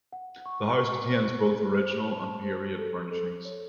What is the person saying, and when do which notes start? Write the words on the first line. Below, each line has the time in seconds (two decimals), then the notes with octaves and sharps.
The house contains both original and period furnishings.
0.13 F#5
0.46 C#6
0.78 C#6
1.12 C5
1.46 C5
1.79 C5
2.12 A5
2.45 C5
2.78 A4
3.11 A4
3.45 C#5